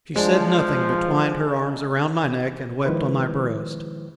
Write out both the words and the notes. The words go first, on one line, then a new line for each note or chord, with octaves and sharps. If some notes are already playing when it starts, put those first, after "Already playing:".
She said nothing, but twined her arms around my neck and wept on my breast.
F3 G#3 D4
D#3 F3 G#3 E4 B4 C5